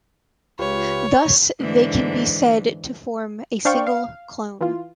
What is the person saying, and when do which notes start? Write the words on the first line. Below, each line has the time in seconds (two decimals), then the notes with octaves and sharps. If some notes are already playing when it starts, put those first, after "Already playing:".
Thus they can be said to form a single "clone".
0.59 C#2 F4 G4 B4 C#5
1.60 G#2 D3 E3
3.65 D4 C5 D5 F5 G5 C#6
3.87 F5
4.61 E3 F4